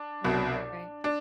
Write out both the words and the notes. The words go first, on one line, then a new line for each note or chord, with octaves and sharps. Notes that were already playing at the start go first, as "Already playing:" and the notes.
Oh, right.
Already playing: D4
C2 B2
D4